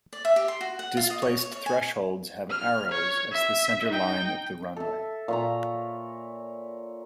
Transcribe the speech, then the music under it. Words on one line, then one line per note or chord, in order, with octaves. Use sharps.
Displaced thresholds have arrows as the center line of the runway.
D5
E5
G4
C6
F#4
F#5
F4
D#5
C#5
C#5
C#5
G#5
F6
C#5
E5
D#4 G5
A4 E5
A#2 C#5 A#5